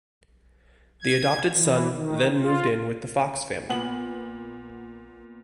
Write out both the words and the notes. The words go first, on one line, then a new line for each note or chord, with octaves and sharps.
The adopted son then moved in with the Fox family.
G#6
E3
D#3
F4
A#2 B3 F#7